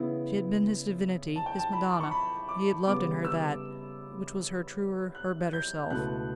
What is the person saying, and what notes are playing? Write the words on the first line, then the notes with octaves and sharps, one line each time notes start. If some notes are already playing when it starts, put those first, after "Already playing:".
She had been his divinity, his madonna; he had loved in her that, which was her truer, her better self.
Already playing: C#3 E3 B3 E4
A5
G5
A5
B5
D6
C#6
B5
D6
C#3 G3 B3 D6
E6
F#6
G6
C#2 B2 A3 E4 F#6